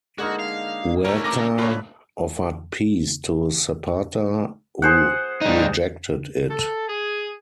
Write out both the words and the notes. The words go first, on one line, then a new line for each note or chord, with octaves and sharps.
Huerta offered peace to Zapata, who rejected it.
D3 G#3 A#3 D#4 F#4 F6
F5
C#2 A3 A#3 C#4 A#4
C#4 A#4 A#5 D6 A#6
C#3 A3 F4 B4 C#5 D5
G#4 C5 F#5
G3 D#4
A4
G#4